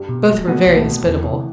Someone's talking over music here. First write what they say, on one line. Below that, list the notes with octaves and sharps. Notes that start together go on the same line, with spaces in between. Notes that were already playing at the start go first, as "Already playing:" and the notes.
Both were very hospitable.
Already playing: G2 G3
B2
F#3
B2 A3 B3
C2
A2 A3
B2
E2 E3
C3